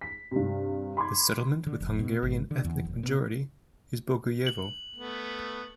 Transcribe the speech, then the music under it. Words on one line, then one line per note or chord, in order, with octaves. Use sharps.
The settlement with Hungarian ethnic majority is Bogojevo.
B6
G2 C3
B5 C6 D6 G#6
D3
F1
B2
G#1
D3
E2
D1
B2
F#7
A3 B3